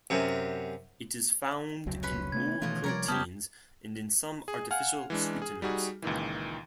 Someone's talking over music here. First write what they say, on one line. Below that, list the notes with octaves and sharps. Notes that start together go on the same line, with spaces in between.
It is found in all proteins and in some artificial sweeteners.
F#2 C3
F1 C#2 F#3
C#4 B4 C6
C3 A3 B3 G#6
B2 D#3 E3 A3 F4
C3 F3 G3 A#4 C#5 D5
C#3 G3 B3 G4 A5 D#6 F6
G#4
F5 F#5 G#5 F6
E3 G#3 D4
G#4
G3 D#4 F#4 G#4
C#2 A#2 D#3 E3